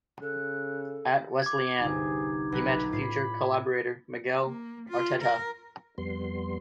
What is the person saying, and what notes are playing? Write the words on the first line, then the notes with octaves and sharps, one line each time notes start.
At Wesleyan, he met future collaborator Miguel Arteta.
C#3 A4 F#6
D6 G#6
G1 C2 D#4 G#4
B1 B4 D#5 B6
A2 F4 B5 C7
A#3
F4
A#4
F2 G3 B3 C6